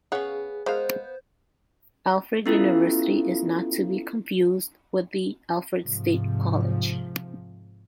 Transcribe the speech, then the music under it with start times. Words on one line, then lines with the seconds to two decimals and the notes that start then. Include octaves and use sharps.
Alfred University is not to be confused with the Alfred State College.
0.12 C#3 B3 G#4 C#5 F5 F#5
0.66 G#3 B3 A#4 C5 F5
2.46 B3 C#4 E4 F4 G4 A4
5.81 G#2 C3 F3